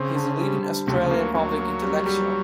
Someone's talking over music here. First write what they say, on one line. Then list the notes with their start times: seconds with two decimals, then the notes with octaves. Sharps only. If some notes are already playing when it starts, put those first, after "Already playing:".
He is a leading Australian public intellectual.
Already playing: C#3 C4
0.16 D3
0.41 G3
0.64 D3
0.87 D2 C3
1.03 C#3
1.11 A#3
1.20 F#3
1.34 D2 F#3
1.59 A#3
1.82 G3
2.06 G3